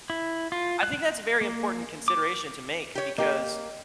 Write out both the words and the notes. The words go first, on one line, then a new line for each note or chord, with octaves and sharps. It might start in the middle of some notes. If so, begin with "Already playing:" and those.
I think that's a very important consideration to make because
E4
F4
F#6
A#3
D6
G4 C#5
A#3 G4 D#5